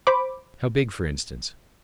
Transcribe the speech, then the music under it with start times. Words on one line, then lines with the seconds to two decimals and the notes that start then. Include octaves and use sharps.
"How big, for instance?"
0.07 C5 B5 D6